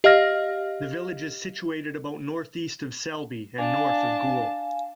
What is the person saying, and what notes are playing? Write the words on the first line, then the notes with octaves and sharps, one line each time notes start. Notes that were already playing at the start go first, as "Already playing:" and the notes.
The village is situated about north-east of Selby, and north of Goole.
G4 D#5 F5 F6 A#6
D4 F5 G#5 A5